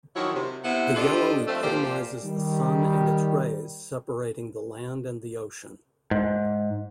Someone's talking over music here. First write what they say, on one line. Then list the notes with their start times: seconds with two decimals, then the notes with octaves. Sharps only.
The yellow epitomizes the sun and its rays separating the land and the ocean.
0.15 D#3 F3 F#3 E4 C#5
0.34 C3
0.64 C3 B3 E4 C5 F#5
0.95 D4 F4 G4 A4 C5 D#5
1.48 F3 A3 C4
1.63 A#2 F3 G4 C5 D5
2.23 D#3 G3
6.11 G#2